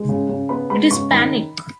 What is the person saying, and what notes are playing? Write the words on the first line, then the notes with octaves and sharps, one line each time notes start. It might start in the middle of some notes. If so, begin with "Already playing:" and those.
It is panic!
Already playing: G#3
C#3
C#3
B3 B5
G#3 B5
C#3 C#6
D#3 B5